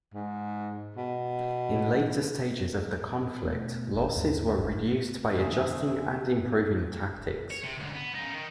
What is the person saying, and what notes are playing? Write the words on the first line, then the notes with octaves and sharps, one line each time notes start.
In later stages of the conflict, losses were reduced by adjusting and improving tactics.
G#2
B2
B2 A3 B3
E1
D#2 G#2
G1 D2
A#1 E2 D3 G#4 E5
C#5
C3
D2 G#2
B3
C#3 D#4
D#3